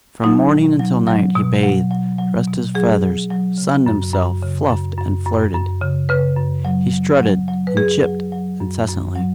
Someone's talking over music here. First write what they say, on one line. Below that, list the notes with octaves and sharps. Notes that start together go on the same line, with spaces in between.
From morning until night he bathed, dressed his feathers, sunned himself, fluffed and flirted. He strutted and "chipped" incessantly.
F#3 D#4
B2
F#3
F#3
B2
F#3
F#3
F#3
B2
F#3 G#4
F#3
F#3
C#3
F#2
F#2
C#3
F#2
F#2
F#2
F#2
C#3
C#3 B4
F#2
F#3
F#3
F#3
F#3
B4
F#2 G#4
F#3
F#3
F#2
F#2
F#3